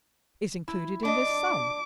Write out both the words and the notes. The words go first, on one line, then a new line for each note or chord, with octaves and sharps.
"Is included in this sum."
E4
D4 D#5 D6